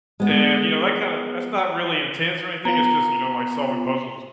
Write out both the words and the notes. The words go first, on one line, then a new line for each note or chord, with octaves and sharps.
And, you know, that kinda that's not really intense or anything, it's just, you know, like, solving puzzles.
G#3 B3
B3 F4 A#5